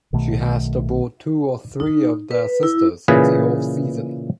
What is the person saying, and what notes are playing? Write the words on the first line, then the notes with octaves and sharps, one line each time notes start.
She has to board two or three of her sisters in the off season.
B1 B2 D#3 A3
D#4
B4
E4
A#2 C#3 E3 G#4 B4